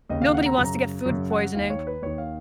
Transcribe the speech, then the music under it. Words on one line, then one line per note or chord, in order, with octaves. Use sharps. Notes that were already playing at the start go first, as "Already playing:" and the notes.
Nobody wants to get food poisoning.
D#2 C#3 D#5
F5
F#5
A#5
F#2 C#3
A#5
F#2 C#3
F#5
D#2 D#3 F5
C#5
B4
D#2 D#3 C#5
F5